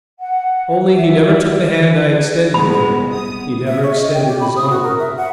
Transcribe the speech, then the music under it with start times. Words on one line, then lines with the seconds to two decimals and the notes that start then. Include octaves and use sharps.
Only, he never took the hand I extended to him. He never extended his own.
0.20 F#5
0.95 E5
2.54 C2 G#3 B3 B5
3.12 B3 D#6
3.67 E5
3.83 C#5
3.95 D#5
4.14 G5
4.28 G4
4.41 B5
4.56 D#6
4.70 F#4
4.83 A#4
5.00 E5
5.17 F#5